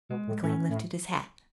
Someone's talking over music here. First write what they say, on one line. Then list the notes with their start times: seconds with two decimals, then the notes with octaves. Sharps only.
McLean lifted his hat.
0.09 B2 G#3
0.27 A2
0.43 A2 C#4
0.69 A2